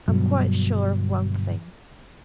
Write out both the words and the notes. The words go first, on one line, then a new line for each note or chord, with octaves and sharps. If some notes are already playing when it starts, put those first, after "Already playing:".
I'm quite sure of one thing.
G1 G2 B2 F#3